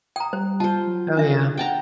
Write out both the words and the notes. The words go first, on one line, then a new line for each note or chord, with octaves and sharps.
Oh, yeah.
G5 A#5 D#6
G3 C5
F4 C5 A5
F#3
D4 E5
F#5 G5 A5 A#5